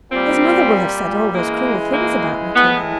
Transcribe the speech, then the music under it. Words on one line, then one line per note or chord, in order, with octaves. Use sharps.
His mother will have said all those cruel things about me to him.
A#2 G3 C4
C#3 E3 G#3 A#3
A#3
A2 E3 G#3 B3